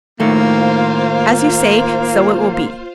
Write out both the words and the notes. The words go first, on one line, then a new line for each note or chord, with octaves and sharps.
As you say, so it will be.
A2 D#3 A3 A#3 F4 C5 F5